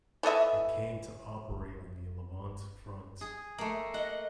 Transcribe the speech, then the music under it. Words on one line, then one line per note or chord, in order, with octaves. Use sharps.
It came to operate on the Levante front.
E3 A4 D#5 E5
G#4
A3 A#3
D#5 F#5